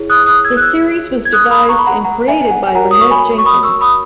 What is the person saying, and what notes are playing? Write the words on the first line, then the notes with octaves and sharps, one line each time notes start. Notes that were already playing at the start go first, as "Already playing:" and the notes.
The series was devised and created by Lynnette Jenkins.
Already playing: E4 G#4 C#5
D#6 F#6
D#6 F#6
E6 G#6
F#6
E6 G#6
G#6
D#6 F#6
B5 D#6
A#5 C#6
B5
F#5 A#5
F#5 A#5
E5 G#5
G#5
F#5
G#5
F#4 A#4 C#5 F#5 A#5
D#6
C#6
G#5 B5
C#6
B5 D#6
C#6 E6
B5 D#6